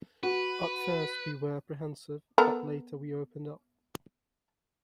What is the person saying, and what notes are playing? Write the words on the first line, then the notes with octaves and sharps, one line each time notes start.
At first we were apprehensive, but later we opened up.
F#4 B4
B3 A4 A#4